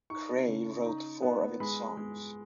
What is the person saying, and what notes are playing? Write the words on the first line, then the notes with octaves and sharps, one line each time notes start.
Cray wrote four of its songs.
D#4 C#6
C#3
D#4
B3
G#3 B5
G#3